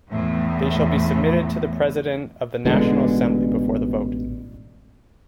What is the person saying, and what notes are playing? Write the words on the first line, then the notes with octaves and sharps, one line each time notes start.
They shall be submitted to the President of the National Assembly before the vote.
E2 A2
A1 B2 D3 G#3